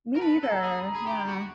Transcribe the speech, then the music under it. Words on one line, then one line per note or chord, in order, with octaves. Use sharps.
Me neither, yeah.
A#4
B4 A5
A4
A#5
G#4
B5
A#5
G#4 B5
G4 A#5
F#4